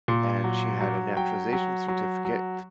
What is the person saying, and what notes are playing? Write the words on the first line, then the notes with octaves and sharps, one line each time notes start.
and she had a naturalization certificate,
A#2
F#3
F#3
F#3 G5
F#3
F#3
F#3